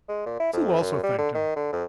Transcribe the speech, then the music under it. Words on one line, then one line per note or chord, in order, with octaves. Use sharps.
Sue also thanked him.
G#3
A#2
E4
F2
F#2
G3
D3
D#3
D3
F2